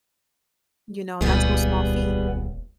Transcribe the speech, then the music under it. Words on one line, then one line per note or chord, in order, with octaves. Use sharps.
you know, that's no small feat.
D#1 C#2 G3 B3 G#4